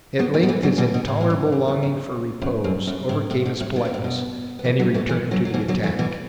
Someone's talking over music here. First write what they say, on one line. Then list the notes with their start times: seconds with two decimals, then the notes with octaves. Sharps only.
At length his intolerable longing for repose overcame his politeness and he returned to the attack.
0.19 F#3 B3
0.34 E3 A3
0.43 B3
0.49 E3 A3
0.63 D3 F#3
0.78 B2 E3
0.94 B2
1.08 A2
1.21 A2
1.30 F#2
1.52 F#2
1.68 E2
1.83 F#2
2.42 F#2
2.64 F#2
2.87 F#2
3.09 A2
3.31 A2
3.46 B2
3.61 A2
3.76 D3
3.85 B2
3.94 A2
4.04 B2
4.59 B3
4.64 E3 A3
4.79 D3 F#3
4.94 E3 A3
5.09 E3 A3
5.31 D3 F#3
5.45 F#3
5.54 B2 E3
5.68 D3 F#3
5.83 E3 A3
5.99 B2 E3